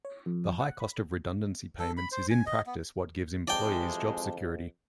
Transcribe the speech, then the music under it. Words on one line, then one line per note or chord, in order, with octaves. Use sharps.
The high cost of redundancy payments is in practice what gives employees job security.
C#5
F2
F#5
B5
A4
B5
C5
G#5
D#5
B3
F2 C3 E3 G#3 D5 G5 A5